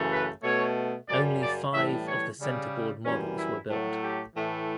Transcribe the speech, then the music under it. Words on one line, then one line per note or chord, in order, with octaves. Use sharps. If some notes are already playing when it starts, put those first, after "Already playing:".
Only five of the centerboard models were built.
Already playing: F#2 C#3 E3 A3
B4
B2 A3 C#5
F#2 C#3 G3 D5
D5
A2 E3 G3 E5
C#5
C#3 G3
F#2 E3 G3 C#4
E4
A2 F#3 A3
G4
A2 E3 A3